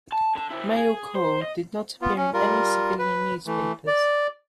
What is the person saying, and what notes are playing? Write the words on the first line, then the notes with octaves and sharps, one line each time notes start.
"Male Call" did not appear in any civilian newspapers.
A5
D3 A5
C#3 E4
G#4
C5
D#5
B3 F4
C#4
G3 F4 A#4
B4
E3 A3
D5